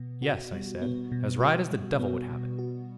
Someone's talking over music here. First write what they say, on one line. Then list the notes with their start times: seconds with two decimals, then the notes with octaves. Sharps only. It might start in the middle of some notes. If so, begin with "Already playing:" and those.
"Yes," I said, "as right as the devil would have it."
Already playing: B2 B3
0.22 F#4
0.53 G3
0.82 B3
1.12 B2
1.40 F#4
1.71 G3
2.00 B3
2.30 B2
2.59 F#4